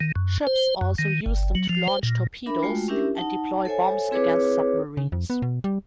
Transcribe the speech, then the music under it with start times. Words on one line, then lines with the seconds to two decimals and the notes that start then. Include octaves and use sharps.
Ships also use them to launch torpedoes and deploy bombs against submarines.
0.01 D#3
0.16 F#2
0.47 C5
0.81 F#2
0.99 D#3
1.26 G1
1.55 F#3
1.69 F3
1.88 C5
2.03 A#2
2.46 D4 A#4 E5 B5
2.63 G#3 A3 F4 F#4 G5
2.88 C#4 D4 E4 G4 A#4 E5
3.15 D#4 F#5 A5
3.65 A4 C5 C#5 E5 G#5
4.11 C4 E4 G#4 B4 C#5 D6
4.97 C#3
5.12 F2
5.30 B3
5.42 B2
5.64 G3